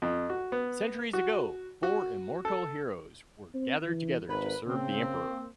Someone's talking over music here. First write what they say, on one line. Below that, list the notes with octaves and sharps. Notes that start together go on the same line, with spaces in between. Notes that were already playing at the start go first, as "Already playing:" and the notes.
Centuries ago, four immortal heroes were gathered together to serve the emperor.
F2
F#4
B3
F#4
F#4
A4
C4
E3
G#1 A#4 B4
C#3 A#3 C4